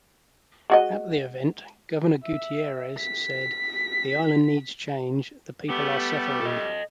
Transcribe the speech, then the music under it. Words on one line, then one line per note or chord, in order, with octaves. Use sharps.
At the event, Governor Gutierrez said, The island needs change; the people are suffering.
G#3 F#4 D#5
E5
B6
G3 A3 B3 G4
A4 D#5